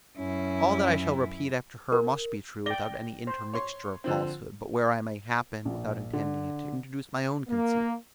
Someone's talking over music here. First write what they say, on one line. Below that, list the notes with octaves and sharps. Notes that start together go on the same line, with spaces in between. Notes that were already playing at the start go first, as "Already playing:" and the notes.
All that I shall repeat after her, must be true, without any intermixture of falsehood, but where I may happen, without intending it, to introduce my own conceits.
F#2 C#4 E4
A#4
D5 G5 A#6 G7
C5
C#5 C6
D3 F3 C4
A#1
D3
A#3